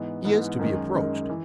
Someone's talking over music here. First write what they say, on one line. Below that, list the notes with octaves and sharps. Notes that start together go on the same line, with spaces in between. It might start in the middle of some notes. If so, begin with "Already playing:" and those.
"He is to be approached."
Already playing: G#2 E3 B3
G#2 E3 B3
F#2 D#3 G#3
F#2 D#3 G#3
E3